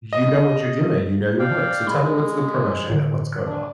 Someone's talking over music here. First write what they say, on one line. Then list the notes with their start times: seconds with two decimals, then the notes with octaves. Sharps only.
you know what you're doing, you know your work, so tell me what's the promotion and what's going on.
0.13 D#5
1.39 D5 F5 G5
1.87 G#3 B5
2.90 A2 D3
3.47 D4